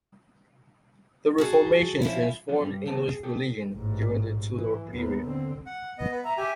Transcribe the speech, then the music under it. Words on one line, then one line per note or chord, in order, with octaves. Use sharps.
The Reformation transformed English religion during the Tudor period.
F#4 G#4 A4
F3 C#4 E4
E2 F3 F#3 C#4 D4 F4
G2 G3
D#2 D#3 B3 C4 A5
G#4
G4 A4
A1 G#2
E3
D#2 B3
D3 C4
F#5
B3 D#5
B3 B4
E5 A#5
G4 E5 G#5